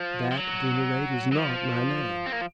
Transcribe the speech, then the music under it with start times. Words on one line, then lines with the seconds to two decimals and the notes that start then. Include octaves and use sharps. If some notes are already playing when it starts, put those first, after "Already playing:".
"That at any rate is not my name."
Already playing: F3
0.31 F3
0.37 F#3
1.32 F#3
1.38 F3
2.26 C4
2.32 A#3